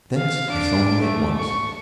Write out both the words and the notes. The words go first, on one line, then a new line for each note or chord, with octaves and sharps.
Thence I saw him at once.
F5
D4 D7
A3
C#6